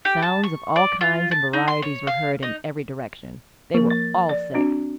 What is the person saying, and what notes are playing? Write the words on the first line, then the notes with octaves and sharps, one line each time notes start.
Sounds of all kinds and varieties were heard in every direction. They were all sick.
G4
A5
C#6
D5
F4
A5
D#4
C6
C#5
F5
D#4
F3 A#3 A#4
A6
D5
C4 D4 F#4